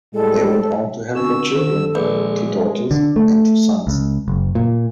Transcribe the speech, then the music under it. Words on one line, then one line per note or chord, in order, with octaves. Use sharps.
They went on to have four children-two daughters and two sons.
A2 G3 G#3 A4
D3 B3 C4 F#4 C#6 E6
D#3 F4 A4
A#1 G#3 B4
D3
A3
C#2
F#1
A#2